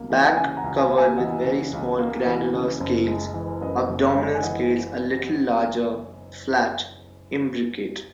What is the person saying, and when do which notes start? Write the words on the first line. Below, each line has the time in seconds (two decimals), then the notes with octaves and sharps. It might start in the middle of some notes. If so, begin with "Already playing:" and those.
Back covered with very small granular scales, abdominal scales a little larger, flat, imbricate.
Already playing: C#2 A#3
0.10 E3
0.37 C#3 E5 G#5
0.57 F#5 A#5
0.64 C#2
0.78 E5 G#5
0.90 A#3
0.98 E5 G#5
1.18 E3 D#5 F#5
1.45 C#3
1.73 C#2
1.99 A#3
2.26 E3
2.53 C#3
2.80 F#1
3.07 G#3
3.34 E3
3.61 F#2 B4 D#5
3.89 F#1
4.02 C#5 E5
4.16 G#3
4.35 G#5
4.43 E3 D#5 F#5